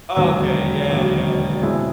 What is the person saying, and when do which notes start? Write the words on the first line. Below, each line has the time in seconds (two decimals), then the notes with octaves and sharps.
Okay, yeah, yeah, yeah.
0.17 E1 D#2 D3 F#3
0.89 E1 D#2 D3 F#3
1.62 B2 G#3 C4 E4 G#4